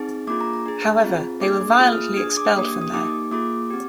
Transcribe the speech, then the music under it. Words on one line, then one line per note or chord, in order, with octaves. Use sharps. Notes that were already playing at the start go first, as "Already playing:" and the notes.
However, they were violently expelled from there.
Already playing: C4 D#4 G#4
A#3 D4 F4 G#4 D6
A#5
A#5
D4 G#4
C4 F4 G#4
A#3 D4 G#4 D6
A#3 F4 G#4 D#6
F6
D#6
D4 G#4 D#6
D6
A#3 D4 G4 D#6
D#6
A#3 D#4 G4 D6
A#3 F4 G#4 D6
C4 G4